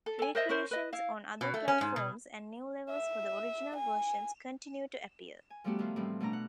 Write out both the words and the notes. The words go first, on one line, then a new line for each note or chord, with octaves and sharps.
Recreations on other platforms, and new levels for the original versions continue to appear.
A4
A4 G#5
A#4 C5 D#5 E5
C#4 A#4 C5
B4 D#5
E4 F5
B2
A3
C#4
G#2
B2
E5
G#5
G#5
F3 G3 A3 B3 F#4 G4
D#3 F3 E4 F4
A2 E3 F3 G3 C4
B2 A3 D4 A#5
F#5